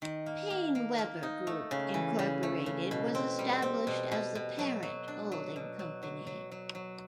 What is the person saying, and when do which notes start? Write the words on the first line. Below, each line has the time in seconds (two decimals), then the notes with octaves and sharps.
PaineWebber Group Incorporated was established as the parent holding company.
0.02 D#3
0.26 A#3
0.50 A#3
0.75 A#3
0.98 A#3
1.23 D#4
1.47 A3
1.71 C#3
1.94 E3
2.19 C#3
2.43 A3
2.66 C#3
2.91 B2
3.15 C4
3.39 G3
3.62 C4
3.87 B2
4.12 B2
4.35 B2
4.59 F#3
4.83 F#3
5.08 D4
5.32 F#3
5.56 B2
5.79 F#3
6.03 F#3
6.27 F#3
6.51 F#3
6.75 F#3